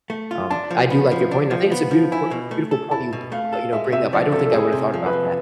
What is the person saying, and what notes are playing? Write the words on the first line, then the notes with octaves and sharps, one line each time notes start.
um, I do like your point, and I think it's a beautiful po beautiful point you, uh, you know, bring up, I don't think I would've thought about that.
A3
F4
D4 A5
F3
B3
F3
D4
F3
B3
F3
E4 G#5
B2
A3
A4
E4 A5
B2
A3 F5
A4
G#3 E5
C3 E5
F3 D5
C3 A4
A4
G#3 G#4
C3
F3
B4
C3